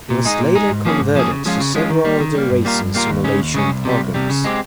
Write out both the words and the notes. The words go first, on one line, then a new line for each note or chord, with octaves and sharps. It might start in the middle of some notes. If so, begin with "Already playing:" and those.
It was later converted to several other racing simulation programs.
A#2
G#3 D#4 G#4
A#2
G#3 D#4 G#4
G#2
F3 A#3 C#4 G#4
G#2
F3 A#3 C#4 G#4
C#3
F3 G#3 C#4 F4
C#3
F3 G#3 C#4 F4
D#3
G3 A#3
D#3
G3 A#3
G2
G3 A#3 F4 A#4
G2
G3 A#3 F4 A#4
D#2
C#3 G#3 C#4
D#2
C#3 G#3 C#4
C2
C3 G3
C2
C3 G3
C#3
G#3 C4 G4